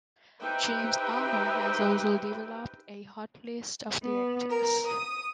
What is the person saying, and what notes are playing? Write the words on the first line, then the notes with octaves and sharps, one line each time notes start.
James Ulmer has also developed a "Hot List of directors".
D#4 G4 B4 C5 E5 G5
B3
A#4
D#6